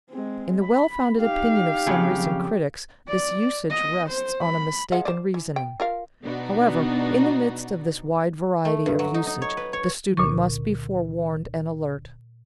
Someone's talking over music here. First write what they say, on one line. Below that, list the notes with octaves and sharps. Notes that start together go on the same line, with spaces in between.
In the well-founded opinion of some recent critics this usage rests on a mistaken reasoning. However, in the midst of this wide variety of usage the student must be forewarned and alert.
G#3 C4
B5
D#4 G4 F5
F2 C#3 F#3
D5
D#5
C5
B5
F3 G#3 F#5
C5 D5
E3
G5
F4 A#4 F5
B2 B3 D4 D#4 F#4
A3
G2
F#3
D#4
D#4
C#5
B4
C#5
C#2 A#2 D3 C#6